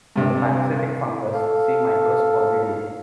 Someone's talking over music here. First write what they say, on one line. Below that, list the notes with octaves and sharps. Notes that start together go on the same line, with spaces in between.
For the parasitic fungus, see Microsporidia.
G2 C3
A4 F5